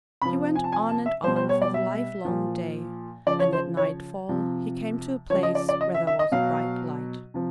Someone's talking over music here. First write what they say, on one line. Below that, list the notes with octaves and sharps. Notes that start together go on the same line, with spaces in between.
He went on and on for the livelong day, and at nightfall he came to a place where there was a bright light.
C3 F3 B5
G#5
A5
G#5
A5
E5
B2 G3 C5
C5
C#5
D5
E5
A#2 F3
C#3 F3 D5
C#5
C5
C#5
C3 F3
C#3 F3 C#5
D#5
D5
D5
D#5
E5
E5
D#5
B2 F#3 F5
C3 F3